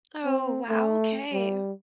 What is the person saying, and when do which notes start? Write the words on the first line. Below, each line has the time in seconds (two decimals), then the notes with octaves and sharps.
Oh, wow, okay.
0.25 C4
0.69 A3
1.33 G3